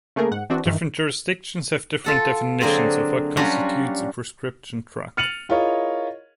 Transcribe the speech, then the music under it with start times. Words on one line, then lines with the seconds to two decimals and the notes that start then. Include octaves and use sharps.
Different jurisdictions have different definitions of what constitutes a prescription drug.
0.16 C#3 A3 A#3 G#4 A#4
0.31 G#2 F#5
0.50 E3 C4 D4 F#4
0.66 G2 D#3 E3
2.04 F4 A4 F#5
2.61 D3 F#3 A#3 C4 G#4
3.37 F#3 G3 C#4 D4 F4 F#4
5.17 F6 A6 C#7 D#7 F7 F#7
5.49 E4 F4 G#4 A#4 C#5 D#5